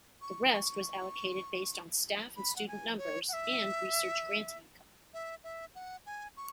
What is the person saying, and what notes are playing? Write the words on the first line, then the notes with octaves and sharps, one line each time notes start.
The rest was allocated based on staff and student numbers and research grant income.
C#6
C#6
B5
F#5
G#5
C#5
F#5
E5
E5
E5
F#5
G#5
C#6